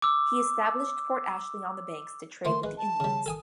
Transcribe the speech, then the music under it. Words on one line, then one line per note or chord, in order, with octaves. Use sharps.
He established Fort Ashley on the banks to trade with the Indians.
D6 E6
D3 A3 A#3 C6
G#3 B4
A5
C#3 G3
A4 G#5 D#6